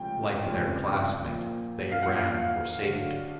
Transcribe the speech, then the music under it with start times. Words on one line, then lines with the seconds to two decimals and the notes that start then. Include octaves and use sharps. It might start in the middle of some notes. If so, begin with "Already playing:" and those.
Like their classmate, they ran for safety.
Already playing: C#2 C3 F3 A3 C#4 G5
0.44 C#2 C3 F3 A3 C#4
1.24 A#2 F3 A#3
1.92 F5
2.03 A#2 F3 A#3 F#5
2.81 D3 F#3 A3 D4 F#4